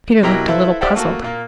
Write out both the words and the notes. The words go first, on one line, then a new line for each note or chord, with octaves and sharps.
Peter looked a little puzzled.
B2 F#3 E4 G4 A#4 A#5
E4 A4 B4 C5 E5 F5
G4 C5 D5 E5 F#5 G5
A3 A#3 F#4 A5
A#2 A#3